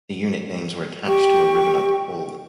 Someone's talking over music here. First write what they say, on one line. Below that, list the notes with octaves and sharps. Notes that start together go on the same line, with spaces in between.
The unit names were attached to a ribbon at the pole.
G4 G5 C#6